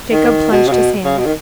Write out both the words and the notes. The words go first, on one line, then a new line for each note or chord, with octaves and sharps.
Jacob plunged his hand.
D#3
B2
C#3
B2
C#3
B2
D#3